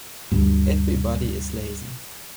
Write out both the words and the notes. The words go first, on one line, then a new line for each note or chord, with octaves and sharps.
Everybody is lazy!
D2 G2